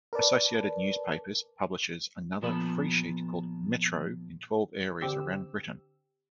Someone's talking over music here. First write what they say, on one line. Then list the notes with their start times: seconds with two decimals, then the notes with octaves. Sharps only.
Associated Newspapers publishes another freesheet called "Metro" in twelve areas around Britain.
0.13 A#4 B4 D5 A5
2.42 A#2 F3 B3 A4 B5
5.01 D3 C4 G4 E6